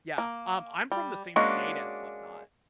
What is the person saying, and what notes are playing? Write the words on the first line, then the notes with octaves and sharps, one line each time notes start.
Yeah, um, I'm from the same state as Slipknot.
A#3
G3
G#3 A#3 C#4 D4 F#4